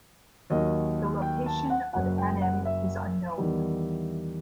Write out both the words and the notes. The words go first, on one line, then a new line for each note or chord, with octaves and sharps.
The location of Anem is unknown.
D#2 D#3 F#3 D#5
G5
A5
F#5
F#1 F#2 F#3 F#5
G5
F#5
E5
E2 D#3 G3